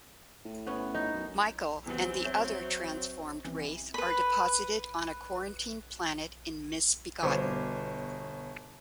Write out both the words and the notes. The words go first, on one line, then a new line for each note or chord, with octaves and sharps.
Michael and the other transformed Wraith are deposited on a quarantined planet in "Misbegotten".
A2
B3 C#4 C#5
D#4
F#2
E2 E3 F#3 G3 C4
C#5 E5 G6
C3 E3
B4 B5
G1 B2 C5 C#5 D6